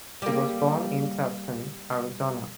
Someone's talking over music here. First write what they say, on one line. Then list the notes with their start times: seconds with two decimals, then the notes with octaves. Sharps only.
She was born in Tucson, Arizona.
0.22 G3 A#3